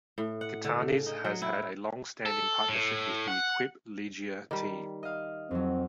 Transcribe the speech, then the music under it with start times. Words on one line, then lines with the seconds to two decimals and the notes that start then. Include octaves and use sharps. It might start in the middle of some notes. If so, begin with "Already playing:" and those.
Gitanes has had a long standing partnership with the Equipe Ligier team.
0.18 A2
0.41 F#5
0.65 D3
0.90 C#3
1.06 D#4
1.24 F#3
1.42 E4
2.26 A4
2.68 A2
3.28 F#5
4.51 D#3 G3 D5
5.03 D#5 F5
5.51 F2 F#3 C4